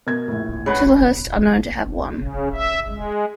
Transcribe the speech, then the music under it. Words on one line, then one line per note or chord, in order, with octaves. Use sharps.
Chislehurst are known to have won.
B2 A#4 G#6
A#1 A2
C#3 G#3 B4 F#5
C#3
E5
G#3